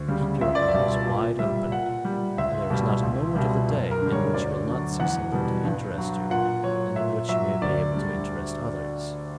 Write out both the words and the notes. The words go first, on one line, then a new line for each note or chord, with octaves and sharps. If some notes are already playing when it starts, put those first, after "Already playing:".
Keep your eyes wide open and there is not a moment of the day in which you will not see something to interest you and in which you may be able to interest others.
Already playing: D2
C#3 G3
C#2 E5
D5
E5
B2 G3
A#2
G3 E5
A#2 F#5
G3
C#2 E5
B2 G3
C#2
B2 G3
F#2
A#4
D3 G3
C#5
D2 D5
D3 F#3
E2 F#5
B2 G3
G2
F#3
A#2 F#5
F#3 C#5
A#2 E5
F#3 E5
D2 D5
D3 G3